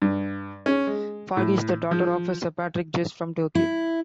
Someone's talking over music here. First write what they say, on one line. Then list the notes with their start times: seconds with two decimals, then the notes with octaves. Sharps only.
Farhi is the daughter of Sephardic Jews from Turkey.
0.02 G2
0.66 C#4
0.87 G#3
1.37 A2
1.91 F3
3.55 E4